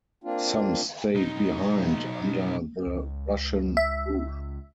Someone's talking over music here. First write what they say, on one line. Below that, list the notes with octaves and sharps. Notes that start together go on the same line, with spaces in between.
Some stayed behind under the Russian rule.
A#3 C4 D4 F4
B1 D#4
C#2
E5